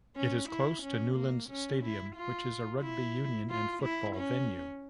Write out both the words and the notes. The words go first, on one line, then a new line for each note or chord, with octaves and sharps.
It is close to Newlands Stadium, which is a rugby union and football venue.
C#4
E4
C#4
A#3
C#4
E4
F4
E4
F4
E4
C#4